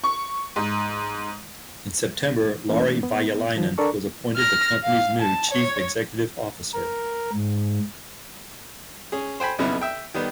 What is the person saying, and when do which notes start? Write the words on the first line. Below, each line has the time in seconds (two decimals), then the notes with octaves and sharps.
In September Lauri Veijalainen was appointed the company's new Chief Executive Officer.
0.04 C#6
0.56 G#2
2.68 E3 A3 A#3 C#4
3.03 B3
3.56 D#3 F3
3.78 D4 A4 A#4 D5 A#5 C#6
4.37 F6 A#6
4.84 F5
5.22 A5
5.51 C#5
6.74 A#4
7.33 G#2
9.12 C#4 G#4
9.40 C5 G5 G#5 B5
9.59 B1 F2 C#3 B3 E4 B4
9.82 E5 G5
10.14 D#3 G3 B3